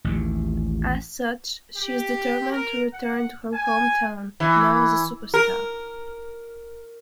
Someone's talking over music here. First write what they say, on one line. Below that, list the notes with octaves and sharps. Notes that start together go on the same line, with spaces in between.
As such, she is determined to return to her hometown, now as a superstar.
A1 D#2
G4
A#4
F#5
G#5
E3
A#4